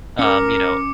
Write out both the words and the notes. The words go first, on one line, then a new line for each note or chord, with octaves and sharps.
Um, you know.
C#4 A#4 D6 C#7